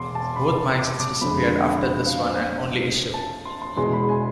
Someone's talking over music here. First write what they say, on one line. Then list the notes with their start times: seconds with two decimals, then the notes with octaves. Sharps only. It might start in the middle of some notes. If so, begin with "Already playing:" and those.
Both magazines disappeared after this one and only issue.
Already playing: E1 C6 D6
0.15 A5
0.36 B5
0.79 D6
1.00 D6
1.21 F2 D3 G#3 B5
1.43 C6
1.64 B5
1.86 B5
2.06 F5
2.29 C5
3.14 A5
3.45 C6
3.62 C6
3.77 E1 E2 B2 G#3 C6
3.93 B5
4.09 G#5